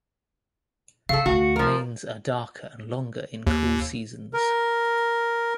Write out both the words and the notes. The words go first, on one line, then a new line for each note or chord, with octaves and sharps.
Manes are darker and longer in cool seasons.
C#3 A3 A4 F5
D2 F#4
F3 A#4
D#2
A#4